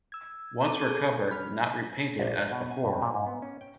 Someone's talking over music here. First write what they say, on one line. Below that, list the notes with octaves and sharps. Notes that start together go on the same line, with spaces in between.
Once recovered not repainted as before.
E6 G#6
C4 A4 D6 D#7 G7
G#4 A4
B5 F6
A#1
C#5
B2
G#5
G2
A#2
G#2
B3
C#4
G5